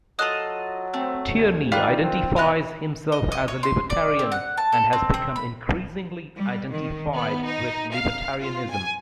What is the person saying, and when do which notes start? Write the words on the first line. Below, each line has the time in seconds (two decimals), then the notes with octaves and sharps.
Tierney identifies himself as a libertarian and has become increasingly identified with libertarianism.
0.19 F#3 F4 A4 D#5 D#6 F#6
0.94 A3 C4
1.32 D2 C3 G#6
1.72 D#3 G3 F4 F5 F#6
2.04 C4
2.36 B3 D#4 F4 F#6
3.12 D#5
3.32 D#5
3.48 C#5
3.63 C6
3.90 D5
4.19 C4
4.32 F#5
4.57 A5
4.72 A4
4.93 C4
5.14 C4
5.36 B5
6.38 G3
6.71 D#3
7.15 B3
7.46 D#4
7.92 F5
8.41 F4
8.70 G#5